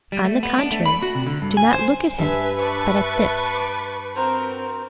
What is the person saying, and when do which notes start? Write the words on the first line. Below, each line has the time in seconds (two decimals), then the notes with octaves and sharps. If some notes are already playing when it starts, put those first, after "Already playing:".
"On the contrary, do not look at him, but at this."
0.12 G3
0.24 A3
0.43 B3
0.59 D4
0.72 A3
0.86 B5
1.03 F#4
1.15 C3
1.27 D3
1.42 G2
1.57 G#5
1.73 C5
2.19 G2 B4 E5 G#5 A5
2.59 D5 E5 A5 C#6
3.55 D6
4.16 C4 F#4 A#4 C5